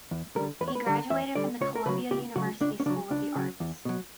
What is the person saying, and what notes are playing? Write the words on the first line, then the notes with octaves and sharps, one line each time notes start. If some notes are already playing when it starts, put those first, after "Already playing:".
He graduated from the Columbia University School of the Arts.
E2
D3 G3 A#4
E2 B4
C#5
B4
D3 G3
E2 E5
D3 G3 D5
C#2 C#5
A#4
C#3 F#3 B4
C#2 G4
C#3 F#3 F#4
C#2 D4
C#4
C#3 F#3 D4
C#2 D4
C#3 F#3
E2
B2 F#3